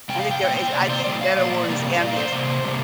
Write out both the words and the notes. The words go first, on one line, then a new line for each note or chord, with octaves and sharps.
I think there is I think the better word is envious.
C3 G3 G5
F5
G5
A#2 A#3 G5
G5
C5
C3 A#3 D5
D5
C5
A#2 G3 A#3 D5
F5
A#2 F3 A#3 D5
C3 G3 A#3
F5
A#2 A#3 D5
C5
C3 A#3
C3 G3 A#3